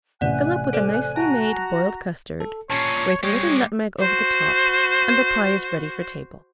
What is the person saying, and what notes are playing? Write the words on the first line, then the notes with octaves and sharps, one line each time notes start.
Fill up with a nicely-made boiled custard, grate a little nutmeg over the top, and the pie is ready for table.
A1 C3 D5 F#5 G#5 F#6
A4 C5 D5
F#4 A5 A#5
A4
A#2 C#4 C#5 A5 C7
G3 G#3 G4 C#5
F#4 C5